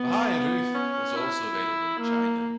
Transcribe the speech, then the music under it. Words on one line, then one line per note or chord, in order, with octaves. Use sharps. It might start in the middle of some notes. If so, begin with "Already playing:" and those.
The high roof was also available in China.
Already playing: B3
C#4
E4
A#3